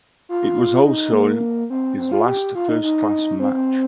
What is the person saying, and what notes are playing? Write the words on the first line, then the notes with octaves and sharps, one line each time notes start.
It was also his last first-class match.
F4
D#4
A#3
C4
C4
F4
G4
F4
D#4
D#4
C4
C4